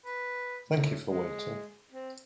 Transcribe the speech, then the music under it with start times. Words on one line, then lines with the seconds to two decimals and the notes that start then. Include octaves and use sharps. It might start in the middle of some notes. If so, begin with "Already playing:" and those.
Thank you for waiting.
0.05 B4
0.70 A2
1.07 G#3
1.92 C4